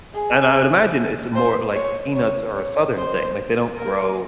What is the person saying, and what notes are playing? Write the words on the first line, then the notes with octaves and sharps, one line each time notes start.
and I would imagine it’s more, like peanuts are a Southern thing, like, they don’t grow,
G#4
C5
C#5
C#5
C#5
C5
A#4